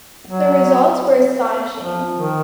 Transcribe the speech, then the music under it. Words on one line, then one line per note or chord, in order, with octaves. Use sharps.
The results were astonishing.
F#3
F3
D#3